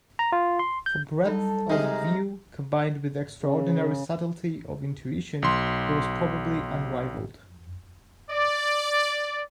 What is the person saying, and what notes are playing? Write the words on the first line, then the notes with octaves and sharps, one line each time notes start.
For breadth of view, combined with extraordinary subtlety of intuition, he was probably unrivalled.
A#5
F4
C6
G6
F#3 G3 D#4 A4 B5
C3 F3 G#3 D#4 G#4 A4
A#5
C#3
B1 C6
D5